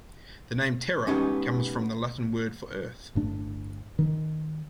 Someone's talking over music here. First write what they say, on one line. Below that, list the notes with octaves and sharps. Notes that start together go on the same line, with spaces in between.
The name "Terra" comes from the Latin word for Earth.
G#3 B3 C#4 D#4 G4
G1 A2 D4
D#3